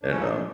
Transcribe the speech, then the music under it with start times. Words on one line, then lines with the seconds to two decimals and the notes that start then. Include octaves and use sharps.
and, um,
0.03 D4
0.10 D#2 C#3 F3 C#4
0.23 D#4
0.28 D4